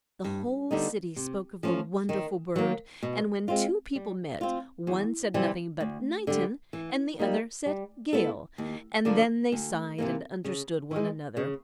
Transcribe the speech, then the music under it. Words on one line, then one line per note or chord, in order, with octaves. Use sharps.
The whole city spoke of the wonderful bird, and when two people met, one said nothing but "Nightin," and the other said "gale"; and then they sighed, and understood one another.
G2
D3 G3 B3 D#4
C3
F3 A3 C#4
D#3
F#3 A#3
B2
G#3 C4 F4
G3
C4 F4
E2
C3 E3 G3 C4
D2
D3 G3
E3
G3 A#3 D#4
G3
B3 E4 A4
D#2
D3 F3 A#3 D4
D2
C3 E3 G3 A#3
C#3
E3 G#3
C#3